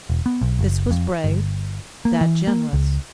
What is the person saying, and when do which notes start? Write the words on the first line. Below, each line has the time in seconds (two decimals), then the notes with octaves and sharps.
This was brave, that generous.
0.10 E1
0.26 B3
0.41 B1
0.59 F#1
0.91 F2
1.24 G1
2.05 A#3
2.21 E3
2.47 A#3
2.73 C#2